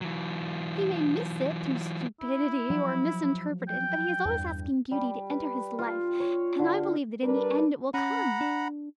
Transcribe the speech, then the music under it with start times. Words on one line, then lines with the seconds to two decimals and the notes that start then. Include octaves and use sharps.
He may miss it through stupidity, or misinterpret it, but he is always asking beauty to enter his life, and I believe that in the end it will come.
0.01 E3 F#3
2.21 E4
2.70 F3 F#3
3.69 G5
4.25 E2 G2
4.91 G3
5.30 B4
5.79 F4
6.20 C#5
6.59 D3
7.23 G3 D4 A#4 B4
7.94 C#4 F#5 A#5 B5
8.41 D4